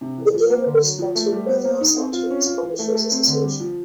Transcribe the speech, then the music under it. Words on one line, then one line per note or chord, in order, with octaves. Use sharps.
The game was sponsored by the Los Angeles Publishers Association.
C3
E3
F3
A#3
D3
F#3
F3
A3
G3
B3
A#3
D#4
C4
F4
C#4
F4
E3
A3
A3
C4
D3
G3
F3